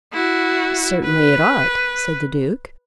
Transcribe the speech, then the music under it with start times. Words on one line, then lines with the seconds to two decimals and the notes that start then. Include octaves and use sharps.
"Certainly it ought," said the Duke.
0.13 E4 F#4
1.03 B4